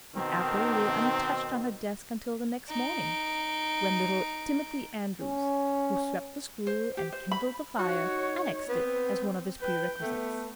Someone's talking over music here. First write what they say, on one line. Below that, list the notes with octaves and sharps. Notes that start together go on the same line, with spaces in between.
The apple lay untouched on her desk until the next morning, when little Timothy Andrews, who swept the school and kindled the fire, annexed it as one of his perquisites.
B2 D#3 C4
D#4 D7
C#4
C5
G4
C5
B5
D#4 F#4 C#5
B3 C4
B4 G5
A3 B3